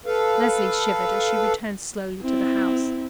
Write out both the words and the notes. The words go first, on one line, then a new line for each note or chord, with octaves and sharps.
Leslie shivered as she returned slowly to the house.
A4 B4 F5
C4 E4